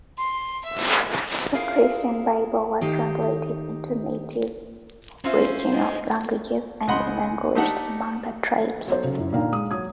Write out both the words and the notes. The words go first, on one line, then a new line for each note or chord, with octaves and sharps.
The Christian Bible was translated into native aboriginal languages and evangelised among the tribes.
C6
E5
E4 F4 G#4 A#4 F5
D#3 D#4 G4
C4 C#4 F4 C5 E5
A4 D#5
C#2 D#5 F#5 B5 C6
A3 D4 D#4 G4 A4 F#5
F#3 B3 A4 C5
C#3 F#3
F#2 E4
A#2 D3 D#4 F5 G5 A#5
G#3 D#6
F#3 D#6 G#6